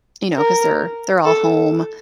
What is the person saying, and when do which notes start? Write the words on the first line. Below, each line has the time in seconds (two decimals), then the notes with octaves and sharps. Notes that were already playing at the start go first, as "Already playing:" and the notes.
you know, 'cause they're they're all home,
0.38 A#4
1.25 A4